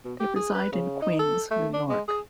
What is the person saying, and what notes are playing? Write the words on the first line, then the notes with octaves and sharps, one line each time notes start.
They reside in Queens, New York.
B2
G4
G#4
B4
C#3
D#4
A4
A3
D4
G#3
G#4